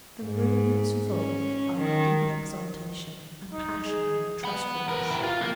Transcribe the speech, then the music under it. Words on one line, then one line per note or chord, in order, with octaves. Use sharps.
The room was full of a deep exaltation, a passion of trustfulness.
G#2
C#4
D#3
D#4
G#4
F#5 B5
A#4 B4
E4 G4
F4
D3 A#3